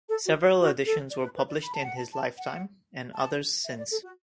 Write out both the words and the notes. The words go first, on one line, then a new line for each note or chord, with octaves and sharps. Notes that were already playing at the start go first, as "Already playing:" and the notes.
Several editions were published in his lifetime, and others since.
A4
F#4
F#4
A4
D5
B4
B4
D5
B5
A5
F#5
A5
A5
F#5
A5
E5
D5
A4
F#4